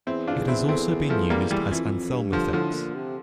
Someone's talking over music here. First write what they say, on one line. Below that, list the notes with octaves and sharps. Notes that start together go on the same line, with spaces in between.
It has also been used as anthelminthics.
E2 C4 E4
D4 F4
C4 E4
A3 C4
F3 A3
G3 A#3
E3 G3
F2 E3
G2
D3 F3
A2 D3 F3
A#2
C3